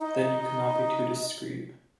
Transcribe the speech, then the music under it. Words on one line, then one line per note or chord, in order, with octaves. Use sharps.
Then you cannot be too discreet.
D#4 D#5